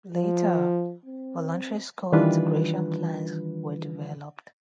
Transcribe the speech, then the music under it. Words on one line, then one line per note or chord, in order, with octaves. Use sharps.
Later, voluntary school integration plans were developed.
F3
C4
D#3 E3 G3 D4 F4 B4